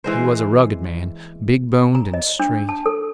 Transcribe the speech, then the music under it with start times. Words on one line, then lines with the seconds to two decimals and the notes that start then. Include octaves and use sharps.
He was a rugged man, big-boned and straight.
0.04 E3 G#3 C5
1.95 A#5
2.14 D#5
2.40 D4
2.69 A5
2.86 A4